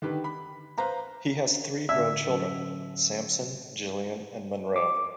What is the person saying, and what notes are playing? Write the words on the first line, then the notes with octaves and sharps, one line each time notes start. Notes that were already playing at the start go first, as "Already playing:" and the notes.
He has three grown children: Samson, Gillian, and Monroe.
D3 D#3 G4 B4
B5
B4 C5 F5 A#5
A2 D3 E5 G#6
F#3 C#4
D6